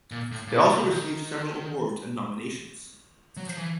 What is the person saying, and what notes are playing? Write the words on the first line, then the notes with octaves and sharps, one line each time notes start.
It also received several awards and nominations.
A#2
A2
A#2
B2
C3
D#3
F#3
F3
E3